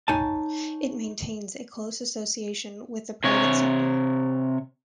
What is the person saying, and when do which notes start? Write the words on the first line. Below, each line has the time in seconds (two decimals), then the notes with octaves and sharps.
It maintains a close association with the private sector.
0.08 D#4 C#5 G#5 A5
3.24 C3 C#5